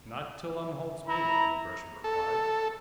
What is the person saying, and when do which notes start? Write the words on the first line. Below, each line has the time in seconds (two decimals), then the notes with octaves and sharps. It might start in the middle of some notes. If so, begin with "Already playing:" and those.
"Not till Umholtz made one," Gresham replied.
1.08 E4 A#5
2.04 A4